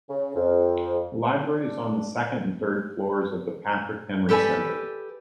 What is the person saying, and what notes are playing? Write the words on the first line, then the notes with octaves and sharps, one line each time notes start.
The library is on the second and third floors of the Patrick Henry Center.
C#3
F2
D4
G4 A4 B4 D5 G#5